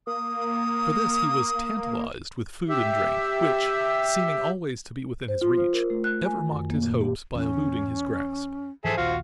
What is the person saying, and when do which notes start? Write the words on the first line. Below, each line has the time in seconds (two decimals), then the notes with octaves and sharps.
For this he was "tantalized" with food and drink, which, seeming always to be within his reach, ever mocked his hopes by eluding his grasp.
0.07 A#3 D#6
2.69 G4 E5
5.28 C5
5.41 F4
5.57 C5
5.73 A#4
5.90 A3
6.04 F#6
6.26 G#5
6.37 D#3
6.51 F#2
6.70 A#3
6.83 A#2
7.01 G4
7.35 E2 C#4
8.85 G#2 E3 F3 G#4 A4 C5 E5
8.97 A#1 D#2 F4 F#4 F5